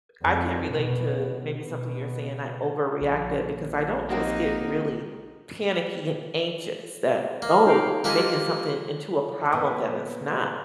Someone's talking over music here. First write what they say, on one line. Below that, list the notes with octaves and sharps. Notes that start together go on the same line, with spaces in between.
I can't relate to maybe something you're saying I overreacted because I don't just get really panicky and anxious that, "Oh, making something into a problem that it's not."
F2
B2
B2
A#1
G#3 A#3 C4 D#4 F#4 G4 F#5
A#3
D#4 F5 G5
G#3 A#3 F4 G4 A4 G#5
A#2 B3